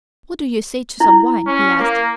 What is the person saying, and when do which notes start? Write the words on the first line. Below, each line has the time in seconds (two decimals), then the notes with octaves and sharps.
"What do you say to some wine?" he asked.
1.00 E4
1.47 C#4
1.79 A#3